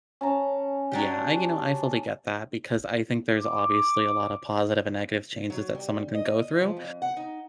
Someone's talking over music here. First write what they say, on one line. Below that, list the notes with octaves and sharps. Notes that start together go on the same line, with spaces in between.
Yeah, I you know, I fully get that because I think there's obviously a lot of positive and negative changes that someone can go through,
C#4 A5 A#5
F#3 D4 G4
D6
F#3
G3
D#5
F3
F2
F#5
D#4